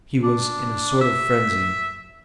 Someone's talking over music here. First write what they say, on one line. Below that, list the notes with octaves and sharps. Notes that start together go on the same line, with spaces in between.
He was in a sort of frenzy.
D4
E5